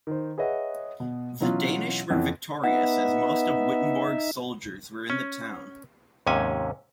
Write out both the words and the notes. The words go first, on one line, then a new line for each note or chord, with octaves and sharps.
The Danish were victorious as most of Wittenborg's soldiers were in the town.
D#3 C5
G#4 B4 C#5 D#5 E5 F#5
B2
B2 E3 F#3 B3 C#4 F4
F2 E3 B3 C#4
B3 D#4 E5 F#5
C#4
D#2 G#2 C3 C#4 G#5